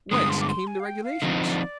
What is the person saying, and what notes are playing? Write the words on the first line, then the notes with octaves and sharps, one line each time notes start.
Whence came the regulations?
G2 D3 G#3 D#6
C6
D6
C6
G#5
F5
G5
F5
D3 F3 C4 D#4 D#5
D#5
D5